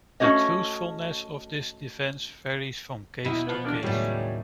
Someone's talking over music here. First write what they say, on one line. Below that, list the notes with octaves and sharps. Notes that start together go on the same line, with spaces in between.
The truthfulness of this defence varies from case to case.
A3 C#4 F#4 A4 C#5 D#5
D#2 B2 D#4 E4
F3 B3
E2 A#3 D4
D#2 A2 C#3 F#3 G3